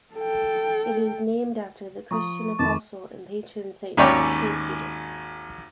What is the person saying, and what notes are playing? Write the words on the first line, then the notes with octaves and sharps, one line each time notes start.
It is named after the Christian Apostle and patron saint, Saint Peter.
A4 G5
F3 A#5 C#6 D#6
F2 D#3 A5 B5 D6
G#1 D#2 C#4 C#5 D5 G5